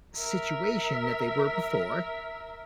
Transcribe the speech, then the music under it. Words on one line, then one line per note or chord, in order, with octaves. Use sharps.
situation that they were before.
A#4 E5